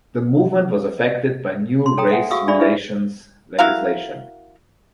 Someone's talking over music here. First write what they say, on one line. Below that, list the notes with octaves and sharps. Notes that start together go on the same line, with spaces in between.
The movement was affected by new race relations legislation.
C6
A4 C#5 G5 A#5 D#6
E5 F#5 G#5
F#4 G#4 F5 C#6 D#6 E6
D4 G#4 D5 E5 B5
E4 G#4 B4 E5
E4 F#4 A#4 F5